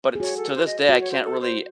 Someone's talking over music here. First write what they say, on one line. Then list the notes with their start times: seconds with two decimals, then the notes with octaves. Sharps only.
but to this day, I can't really
0.15 G#4
0.20 F#4 C#5
0.37 A4
0.55 C5
0.66 D#5
0.89 F#4 C5
1.01 C#5
1.12 C5
1.24 A4
1.41 C5